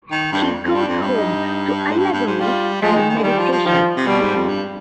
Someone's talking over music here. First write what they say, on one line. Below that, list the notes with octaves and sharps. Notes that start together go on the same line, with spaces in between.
He goes home to allegory and meditation.
D#3
G2 D4
F2
F2
G2 D4
F2
G2
D#4
G#2
G2
G2
G#2
G3 F4
F3 G#3
D#3
D#3
D3
D#3 G3
F3
F3
D#3 F3
C3
B2 G3
G#2
F2
G2